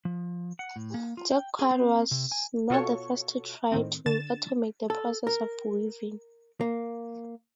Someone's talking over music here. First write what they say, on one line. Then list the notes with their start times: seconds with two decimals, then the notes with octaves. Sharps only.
Jacquard was not the first to try to automate the process of weaving.
0.05 F3
0.59 F#5
0.76 A2
0.94 A#3
1.17 F4
1.32 G5
1.59 G#4
1.71 C4
2.11 C3
2.32 G#5
2.70 B2 F4 F#4 A4 C#5 C#6
3.72 A2 D#3 C4
4.06 D3 A6 E7
4.90 A4
5.27 A#4
6.61 A#3